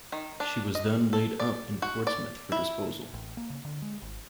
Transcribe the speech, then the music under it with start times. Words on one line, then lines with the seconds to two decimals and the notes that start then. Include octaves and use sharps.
She was then laid up in Portsmouth for disposal.
0.12 D#3
0.40 D4
0.75 D#5
1.13 A4
1.39 D5
1.82 F#4
2.07 D5
2.52 E4
3.13 A1
3.37 A#3
3.50 C#3
3.65 D3
3.82 G#3
4.02 G#1